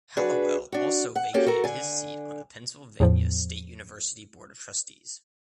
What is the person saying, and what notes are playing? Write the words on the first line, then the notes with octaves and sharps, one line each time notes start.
Hallowell also vacated his seat on the Pennsylvania State University Board of Trustees.
D4 F#4 G#4 B4
D4 F#4
F#5
A#3 C#4 F#4 G4 A4
F#4 A4 A#4
D3 G#5
E2 A2 F3